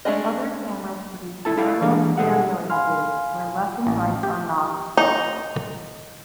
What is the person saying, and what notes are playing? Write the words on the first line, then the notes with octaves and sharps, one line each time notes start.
Other cameras produce parallel stereoimages, where left and right are not swapped.
G#3 A3 D4 G#4 D#5
C2 C3 E4 A4 A5
E4 A4 D5 F5
E3 G3 G#3 A#3 D4
B2 G3 G#4 A4 F#5
F5 G#5 B5 C6 F6
A1
G4
D#4